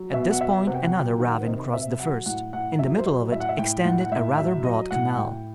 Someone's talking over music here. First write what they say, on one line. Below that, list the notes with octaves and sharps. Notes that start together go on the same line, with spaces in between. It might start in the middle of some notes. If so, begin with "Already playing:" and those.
At this point another ravine crossed the first; in the middle of it extended a rather broad canal.
Already playing: F#3
B2 E5
F#5
B2 E5
C3 F#5
G5
F#5
F#3 G5
D#3 F#5
C5
C3 D#5
C3 E5
F#3 F#5
A2 F#5
A2 F#5
F#3 E5
C5
F#3 D#5
A2 E5
F#5
E5
A2 G5
A2 F#5
F#5
A2 E5
F#3 E5
F#3 D#5
A2 F#5
F#5
A2 G5